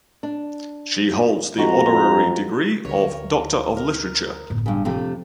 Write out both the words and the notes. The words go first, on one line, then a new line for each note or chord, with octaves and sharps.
She holds the honorary degree of Doctor of Literature.
D4
F2 G#3 F#4 A#5
D2 A#4 C#5
A#4
G1 A2
G2 C#3
F2 C3 A3